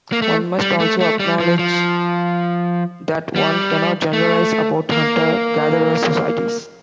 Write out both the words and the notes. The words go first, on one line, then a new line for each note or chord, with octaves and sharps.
One must also acknowledge that one cannot generalize about hunter-gatherer societies.
A#3
A3
G3
A3
A3
G3
F3
F3
G3
A3
A#3